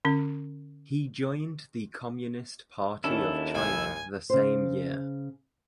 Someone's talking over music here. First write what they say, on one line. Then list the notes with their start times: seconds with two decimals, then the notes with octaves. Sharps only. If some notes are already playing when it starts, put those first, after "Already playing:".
He joined the Communist Party of China the same year.
0.05 D3 C#4
3.04 D#2 D#3 C#4 D4 E4 A4
3.55 C2 D#5 G#5
4.30 C#3 C5